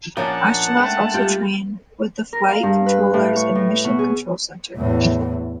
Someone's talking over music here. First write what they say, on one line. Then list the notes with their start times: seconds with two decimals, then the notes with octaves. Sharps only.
Astronauts also train with the flight controllers in the Mission Control Center.
0.17 A#2 F3 A#3 C#4 D4 F#5 A5
0.77 G#3 A3 G5
1.14 G3 F4 G5
2.33 A#4
2.48 F5
2.63 G2
2.86 B4
3.14 A2
3.36 C#5
3.55 A2
3.85 B2
3.99 G#4
4.76 E2 A2